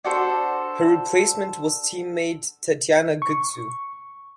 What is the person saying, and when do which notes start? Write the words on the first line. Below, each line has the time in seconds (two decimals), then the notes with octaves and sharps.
Her replacement was teammate Tatiana Gutsu.
0.05 D4 F#4 A4 C5
3.22 C#6